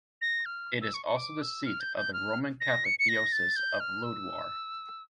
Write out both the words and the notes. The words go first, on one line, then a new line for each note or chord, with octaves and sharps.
It is also the seat of the Roman Catholic Diocese of Lodwar.
A#6
F6
E6
C#6
C#6
D6
E6
F6
G6
G6
F6
A#6
C#7
C#7
A#6
A6
G6
F6
E6